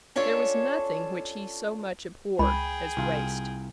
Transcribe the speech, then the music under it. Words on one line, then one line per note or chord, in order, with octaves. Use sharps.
There was nothing which he so much abhorred as waste.
C#4 D4 F4 A4 C#5
C#2 G#4 G5 B5
C2 F4